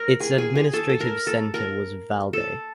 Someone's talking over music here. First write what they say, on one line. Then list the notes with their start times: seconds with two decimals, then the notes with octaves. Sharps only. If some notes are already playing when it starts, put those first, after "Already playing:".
Its administrative centre was Valday.
Already playing: A#4
0.20 G#4
0.38 G#4
0.55 G#4
0.73 A4
0.89 A4
1.00 A#4
1.27 A4
1.54 A#4
2.33 A4